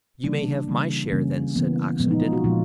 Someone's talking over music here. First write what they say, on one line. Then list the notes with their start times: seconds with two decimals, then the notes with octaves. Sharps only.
"You may have my share, then," said Oxenden.
0.24 C#3 E3 G3 A#3 D4
0.68 C#3 E3 G3 A#3
1.12 C#3 E3 G3 A#3 C#4
1.56 C#3 E3 G3 A#3 B3
2.00 A#2 F3 G#3 B3
2.11 D#4
2.22 F4
2.33 F#4
2.44 A#2 F3 G#3 F4